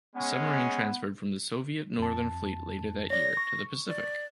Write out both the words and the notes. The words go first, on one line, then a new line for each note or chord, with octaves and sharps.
The submarine transferred from the Soviet Northern Fleet later that year to the Pacific.
G#3 B3 C#4
F2 A5
C#5 D5 A#6
C#6
D5